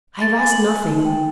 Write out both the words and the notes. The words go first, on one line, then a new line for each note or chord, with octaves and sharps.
I have asked nothing.
A6
G#5
F#7
D#4
G5